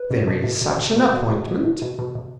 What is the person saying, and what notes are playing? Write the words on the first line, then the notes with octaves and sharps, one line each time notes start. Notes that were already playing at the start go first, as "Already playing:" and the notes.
"There is such an appointment."
Already playing: B4
B2
B2
B2
B2
B2
B2
B2
B2
B2
B2
B2
B2
B2